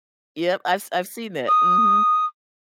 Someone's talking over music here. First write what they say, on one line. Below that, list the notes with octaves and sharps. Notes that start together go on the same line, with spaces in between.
Yep, I've I've seen that, mhm.
D#6